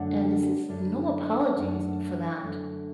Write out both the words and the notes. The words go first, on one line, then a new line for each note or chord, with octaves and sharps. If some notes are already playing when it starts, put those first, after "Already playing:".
And this is no apologies for that.
Already playing: F#2 D3 A3 D4 F#5
F#2 D3 A3 D4
D#5
F#2 D3 A3 D4 F#5
F#2 D3 A3 D4